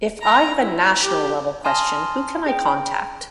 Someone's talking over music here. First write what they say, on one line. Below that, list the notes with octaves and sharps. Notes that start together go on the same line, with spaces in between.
If I have a national level question, who can I contact?
A#5
E4
G4
G#5 A5 C6 D#6 F6 A#6
G#4 G5